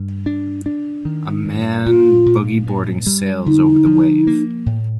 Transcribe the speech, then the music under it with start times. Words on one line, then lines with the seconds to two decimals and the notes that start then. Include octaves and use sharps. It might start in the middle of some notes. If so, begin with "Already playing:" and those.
A man boogie boarding sails over the wave.
Already playing: G2
0.26 D4
0.66 D4
1.05 D#3
1.45 G2
1.86 A#2 F4
2.26 A#2
2.67 G2
3.07 G3
3.46 D3 D#4
3.86 F3
4.27 A#3
4.66 A2